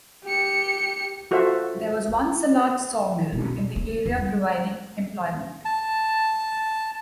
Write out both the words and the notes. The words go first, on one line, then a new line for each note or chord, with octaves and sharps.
There was once a large sawmill in the area providing employment.
G4 C#7
F4 F#4 A4 C5 E5
B2
A#3
E2
G3
A5